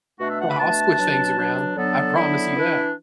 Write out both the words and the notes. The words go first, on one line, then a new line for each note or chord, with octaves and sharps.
Oh, I'll switch things around, I promise you that.
B2 A3 D4 F#4
E5
F#5
B5
B2 A3 D4 A5
B2 F#3 D4
B2 F#3 D4
D3 F#3 B3 D4 A4
D3 F#3 B3 D4 E4
E3 D4